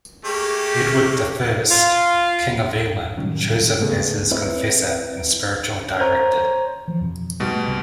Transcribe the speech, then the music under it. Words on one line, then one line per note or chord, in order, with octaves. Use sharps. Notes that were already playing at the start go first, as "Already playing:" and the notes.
Edward the First, King of England, chose him as his confessor and spiritual director.
A3 A#3 G4 G#4 C#5
F4
A2 C3 D#3 F#3 G3 C#4
G#2 C#3 A3 B3 G#4 A4
C4 E4 B4 C#5 D#5 E5
C5 C#5 A#5
E3 F3
F2 B2
G#2 B2 G3
A3
C2 C3